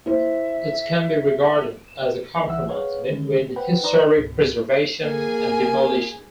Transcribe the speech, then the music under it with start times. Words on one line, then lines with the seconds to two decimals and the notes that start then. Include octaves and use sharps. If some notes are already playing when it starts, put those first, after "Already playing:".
It can be regarded as a compromise between historic preservation and demolition.
0.06 E4 C5 E5
2.46 C2 E3 E5 F#5 E6
2.69 G#4 B4 C#5 F5 F#5
3.09 D3 D#3 G#3 C#4
3.56 B4 C5 F#5 G5 B5
3.83 D#4 B4 D5 A#5 C6 D#6
4.17 C#2 G#2 B2
5.03 A#3 G#4 G#5